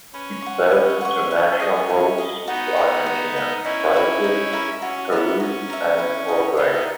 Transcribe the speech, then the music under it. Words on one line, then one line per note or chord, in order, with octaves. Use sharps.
It serves international routes to Argentina, Brazil, Peru and Uruguay.
C#4 B4
F#5 C#6
B4
F#5 C#6
E4
G#4 D#5
E4
G#4 D#5
B3 D#4 F#4
B4 F#5
F#4
B4 F#5
C#4 D#4 E4
A#4 E5 B5
D#4
A#4 E5 B5
C#4 F#4
B3 A#4 E5
C#4 F#4
A#4 E5
E4
B4 D#5
B3 D#4 E4